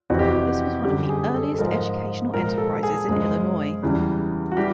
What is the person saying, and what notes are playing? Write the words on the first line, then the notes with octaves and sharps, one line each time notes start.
This was one of the earliest educational enterprises in Illinois.
F2 C3 E3 F#4
G4
F#4
F#2 D3 G3 G4
G#4
A4
A4
G#2 F3 G#3 A#4
A#2 F3 G#3 A#4
A4
G#4
F#2 C#3 F3 G#3
E2 C#3 E3 G3
F#4
E3 G3 G4